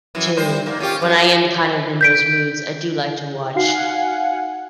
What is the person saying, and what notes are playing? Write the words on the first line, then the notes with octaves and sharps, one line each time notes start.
to when I am, kind of, in those moods, I do like to watch
F#2 E3
G3 C5
G#2 A#3
C#4 F4 G4
F#2
G6 B6 D7
D#4 F#4 F5 F#5 G#5 C7